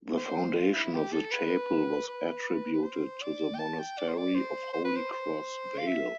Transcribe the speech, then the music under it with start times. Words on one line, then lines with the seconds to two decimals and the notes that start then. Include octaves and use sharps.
The foundation of the chapel was attributed to the monastery of Holy Cross Vale.
0.17 C5
0.55 F4
0.74 E4
0.94 G4
1.13 A4
1.31 B4
2.08 B4
2.73 B4
2.83 C5
3.22 D5
3.55 G5
3.59 A5
3.79 G5
3.98 D5
4.08 C5
4.18 D5
4.35 C5
4.73 C5
4.85 B4
4.96 C5
5.12 C5
5.78 F5
5.87 E5